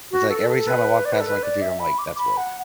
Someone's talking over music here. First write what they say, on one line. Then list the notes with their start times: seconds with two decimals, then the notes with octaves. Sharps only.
it's, like, every time I walk past my computer, I'm like, "That's work."
0.11 F#4
0.29 A4
0.49 A4
0.67 B4
1.05 D5
1.12 B4
1.20 A4
1.28 B4
1.43 D5
1.62 E5
1.80 B5
1.98 D6
2.18 B5
2.37 F#5